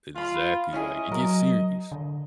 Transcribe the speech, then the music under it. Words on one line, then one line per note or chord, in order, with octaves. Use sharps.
Exactly, like, it gets serious.
F4 F5 B5
C#4 E4 G#4 D#5
F#3 A#4
D3